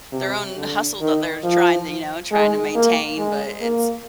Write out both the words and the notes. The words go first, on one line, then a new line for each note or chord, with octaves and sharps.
their own hustle that they're trying to, you know, trying to maintain, but it's
C3
D3
D#3
F3
G#3
A#3
G#3
A#3